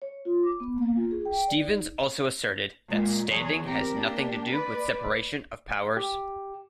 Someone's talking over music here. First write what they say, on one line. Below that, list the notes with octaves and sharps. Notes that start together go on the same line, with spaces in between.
Stevens also asserted that standing has nothing to do with separation of powers.
C#5
F4
D6
B3
A#3
F4
G#4
G5
D5
D#4
A#2 G#3
E2 F#3 G#4 C#5
C4 G4 A#4
A#3 D4 G4
B4 D5
G4